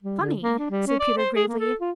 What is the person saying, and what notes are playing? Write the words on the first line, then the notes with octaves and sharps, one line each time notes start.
"Funny!" said Peter gravely.
G3
D3
A#3
D4
G3
C#4
D5
C5
G#4
A#3
A4
F4